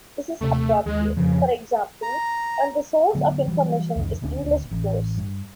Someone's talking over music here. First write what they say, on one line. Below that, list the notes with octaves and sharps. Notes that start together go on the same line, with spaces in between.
This is appropriate, for example, when the source of information is English prose.
D#1 C3 A3
D#2 G#3
F2 C#3
A#5
D3 F#3 B3
E3 F#3 G3
C#2 F#2 D#3
D#1 D2 C4 D4
A1
G2